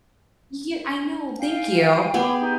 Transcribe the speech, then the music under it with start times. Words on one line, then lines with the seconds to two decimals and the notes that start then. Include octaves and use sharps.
y I know, thank you.
1.39 F5 G5 G#5
2.14 B3 G#4 G5 B5 D6
2.39 D#4 G4